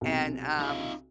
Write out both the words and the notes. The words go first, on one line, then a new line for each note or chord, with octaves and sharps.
and um
B1 C3
D#4 F4